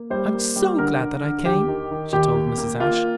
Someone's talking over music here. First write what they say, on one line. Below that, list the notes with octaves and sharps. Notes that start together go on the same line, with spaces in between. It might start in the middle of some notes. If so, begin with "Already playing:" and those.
"I am so glad that I came," she told Mrs. Ashe.
Already playing: A#3
G3 C5
A#3
G3
D3 A#4
D3
D3
D#2 G4
D#3
D#3
D#2 G4
A#3
A#3
A#3 F4